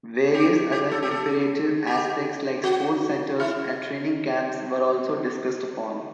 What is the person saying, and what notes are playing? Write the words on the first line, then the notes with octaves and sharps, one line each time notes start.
Various other imperative aspects like sports centres and training camps were also discussed upon.
G4
G4
A4
G4
A4
G4
F#4
E4